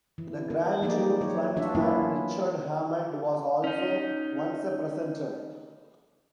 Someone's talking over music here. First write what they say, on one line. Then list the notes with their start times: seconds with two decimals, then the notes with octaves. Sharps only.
"The Grand Tour" front-man Richard Hammond was also once a presenter.
0.18 E3
0.50 B3
0.82 F3 A#3 D#4 G4 G#4 D5
1.21 F#3 C#5
1.56 E3 A3 D4 F4 F#4 E5
1.75 F#3 A#3 B3 C#4 E4 F4
3.64 C#4 D#4